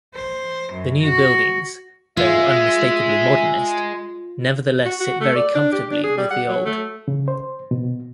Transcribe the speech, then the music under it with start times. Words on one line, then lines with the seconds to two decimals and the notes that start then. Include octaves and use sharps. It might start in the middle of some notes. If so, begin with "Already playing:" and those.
The new buildings, though unmistakably Modernist, nevertheless sit very comfortably with the old.
0.14 C5
0.73 F#2
1.03 F#4
2.17 G#3 F4 E5
4.85 F#4
5.00 F#4
5.21 A3
5.36 D5
5.55 D4
5.72 G4
5.91 D4
6.04 G#4
6.17 G3
6.31 F#5
6.48 F#3
6.66 A3
7.08 C#3
7.28 C5
7.71 B2